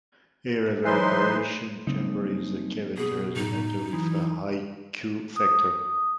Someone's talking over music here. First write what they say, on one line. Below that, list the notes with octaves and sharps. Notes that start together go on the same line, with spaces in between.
A reverberation chamber is a cavity resonator with a high Q factor.
E3 F#3 D#4 B4 C5 C6
C#3 F#3 G3 A#3 C4 D#4
B2 G#4
A2 D#4
E3 F#3 D#6
D#6